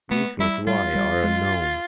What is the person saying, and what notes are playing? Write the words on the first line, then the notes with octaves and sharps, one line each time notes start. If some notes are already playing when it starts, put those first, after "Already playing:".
Reasons why are unknown.
A3 B3
G3 E4
G3 F4
G3
G#3